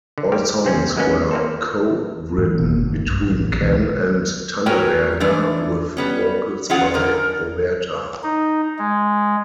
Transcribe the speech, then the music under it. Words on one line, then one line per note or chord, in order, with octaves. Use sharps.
All songs were co-written between Ken and Tanneberger, with vocals by Roberta.
D3
G3 A#3 G4
C3 C4 C#4
F#2 G#3 A#3 B3 C#4
A#3 C4 A4
G#2 E3
F#1 B2 A#3
F#2 D3
B1 G2
A1
C#2 B2 E3 B3
F#4 A#4 B4 C#5 G5 G#5
D#3 E3 A3 D4
G3 B3 C#4
F3 F#3 C#4 F4 G#4 F#5
F#2 D3 D#3 A#4
D#4
G#3